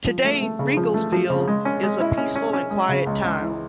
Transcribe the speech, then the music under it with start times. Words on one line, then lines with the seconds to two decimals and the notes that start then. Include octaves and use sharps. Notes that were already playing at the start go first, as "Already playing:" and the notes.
Today, Riegelsville is a peaceful and quiet town.
0.06 F3
0.24 A3
0.41 A3
0.59 C#3
0.77 F3
0.94 A3
1.12 F3
1.30 C#3
1.48 G#3
1.65 C#4
1.83 G#3
2.00 E4
2.17 C#4
2.36 C#4
2.53 C#4
2.71 G#3
2.89 C#3
3.07 C#2
3.24 C#2
3.42 E3